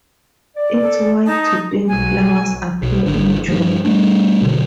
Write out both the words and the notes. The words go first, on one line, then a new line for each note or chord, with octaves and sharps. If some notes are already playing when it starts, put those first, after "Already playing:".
Its white to pink flowers appear in June.
D5
A4
D#4 A5 D#6
B1 F#3 G#3 G#5
B1
G#1 D3 E3
G2 F3
G3 A3 D4
B2 D3 F#3